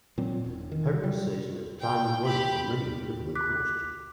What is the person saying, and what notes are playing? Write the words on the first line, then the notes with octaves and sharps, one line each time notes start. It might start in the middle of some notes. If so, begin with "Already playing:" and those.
Hurricane season is a time of worry for many who live on the coast.
A#2 F#3 C4
E1
D#3
F#3 G3
G5
G4 B5
D6 F#6 B6